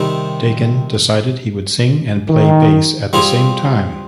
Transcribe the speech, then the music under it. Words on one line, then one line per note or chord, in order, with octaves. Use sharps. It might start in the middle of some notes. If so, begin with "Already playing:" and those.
Dakin decided he would sing and play bass at the same time.
Already playing: C3 D#3 G3 C4
D#3
G3 C4 F4 G#4